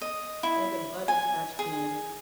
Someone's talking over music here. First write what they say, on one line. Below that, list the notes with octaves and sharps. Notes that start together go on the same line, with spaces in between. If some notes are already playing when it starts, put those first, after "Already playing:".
Or the butterscotch candy.
D#5
E4
G#5
G#4